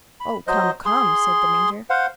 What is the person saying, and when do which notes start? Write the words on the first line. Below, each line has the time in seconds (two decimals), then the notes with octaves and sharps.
"Oh, come, come!" said the Major.
0.20 B5
0.47 F#3 C5 D#5
0.86 G#4 C6
1.90 C5 F5 F#5